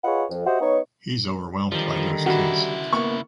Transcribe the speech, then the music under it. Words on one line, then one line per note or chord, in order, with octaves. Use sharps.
He’s overwhelmed by those kids.
F4 G#4 B4 C#5 D#5 F#5
F2
F#4 G4 C5 D#5 E5 F#5
B3 D#4 C#5
D3 D#3 F3 G3
C#3 E4 F#4
A#3 B3 C#6